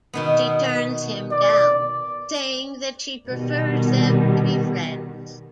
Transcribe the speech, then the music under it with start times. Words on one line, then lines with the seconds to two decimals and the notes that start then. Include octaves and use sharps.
She turns him down, saying that she prefers them to be friends.
0.14 B2 D#3 B3
1.31 D5
3.27 B2 D#3 G3